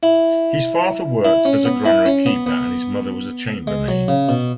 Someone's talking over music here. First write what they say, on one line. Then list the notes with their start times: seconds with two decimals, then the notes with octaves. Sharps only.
His father worked as a granary keeper and his mother was a chambermaid.
0.03 E4
1.25 E4
1.45 C#4
1.65 B3
1.85 E4
2.06 C#4
2.26 B3
2.46 B3
3.67 G#3
3.88 F#3
4.08 C#3
4.29 B2